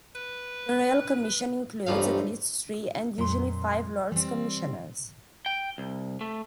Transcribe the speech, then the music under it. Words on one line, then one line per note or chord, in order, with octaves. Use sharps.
The Royal Commission includes at least three-and usually five-Lords Commissioners.
B4
A1 G2 F3 A3 F5
F2 A#2 F#3 C6
E3 G3 C4
G5
C2
A3